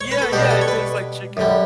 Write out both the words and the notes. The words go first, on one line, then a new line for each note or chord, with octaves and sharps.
Yeah, yeah, it tastes like chicken.
C#5
B4
A4
B2 G3 D4 G4
A4
C#5
B4
F#2 D3 G3